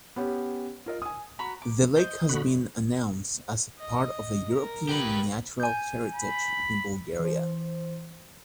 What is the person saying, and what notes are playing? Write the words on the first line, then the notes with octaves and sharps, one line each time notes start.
The Lake has been announced as part of the European Natural Heritage in Bulgaria.
B3 C#4 G4
F4 A#4 D#5
G#5 D#6
F#4 A#5 B5
D6
C5 D5 D#5
D3 F#4 B5
D#5
A#4 A#5
G4 B4
G#5 G6
B5
E3 C5